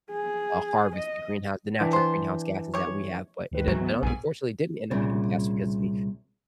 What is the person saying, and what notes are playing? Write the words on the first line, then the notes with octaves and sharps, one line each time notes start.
uh, harvest the greenhouse the natural greenhouse gases that we have, but it un un unfortunately didn't end up getting passed because the
G#4
D#5
E3 D4 G5
B3 C5
G4 C#5
D2 D#3 B4
G#2 E3 F#3 A3
B3
B1 G#2 G#5
C2 A#2 C#3